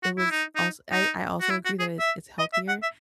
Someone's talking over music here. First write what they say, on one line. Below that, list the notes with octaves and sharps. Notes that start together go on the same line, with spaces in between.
it was als I I also agree that it's it's healthier,
F#4
E4
D#4
D#4
D#4
F#4
E4
F#4
G#4
E5
D#5
E5
F#5
E5